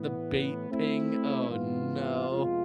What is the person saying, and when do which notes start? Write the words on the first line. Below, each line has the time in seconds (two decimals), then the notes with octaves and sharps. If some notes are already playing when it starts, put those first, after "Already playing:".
The bait ping, oh no.
Already playing: A2 E3 B3
0.70 A3 C4 E4
1.48 G#2 E3 B3 F4
2.28 F2 C3 G#3 B3 F4